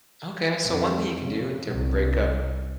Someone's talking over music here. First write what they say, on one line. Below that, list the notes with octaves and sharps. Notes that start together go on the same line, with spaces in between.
Okay. So one thing you can do to break up
F2
C#3
C2